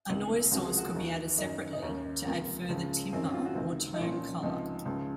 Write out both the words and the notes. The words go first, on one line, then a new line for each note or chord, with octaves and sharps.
A noise source could be added separately to add further timbre or tone colour.
C#2 C3 D#3
C#2 C3 F3 F#4
G#4
F#4
D#2 D#3
F#2 D#3 D#4
D#4
D#2 D#3 C#4
C#2 C3 F3 A#3
C#2 C#3 F3
F#2 D#3 C4
C#4
F4
F#4
C#2 C3 D#3 C4
D#4
C2 A#2 F3 C#4
C#2 C3 F3 D#4
C#2 C#3 F3